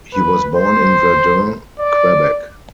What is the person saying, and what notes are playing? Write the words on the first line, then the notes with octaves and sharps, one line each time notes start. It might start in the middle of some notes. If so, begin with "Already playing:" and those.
He was born in Verdun, Quebec.
B4
C5
D5